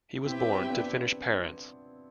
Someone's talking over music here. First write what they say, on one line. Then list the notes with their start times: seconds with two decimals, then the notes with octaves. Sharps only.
He was born to Finnish parents.
0.25 C4 E4 G4 B4 E5 G5
0.61 C4
0.69 B3 D4